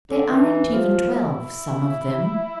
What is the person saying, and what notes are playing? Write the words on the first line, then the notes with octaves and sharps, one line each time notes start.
They aren't even twelve, some of them.
D3
E3
F3
E4